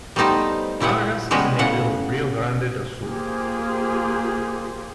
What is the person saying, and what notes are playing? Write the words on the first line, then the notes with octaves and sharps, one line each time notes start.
Vargas is a native of Rio Grande do Sul.
G3 A3 B3 D#4 G4 C5
A#2 E4 G4 F#5
G3 G#3 B3 C#4 F#4 G4
A2 C#3 F#5
A#3 F4 G4 G#4 C5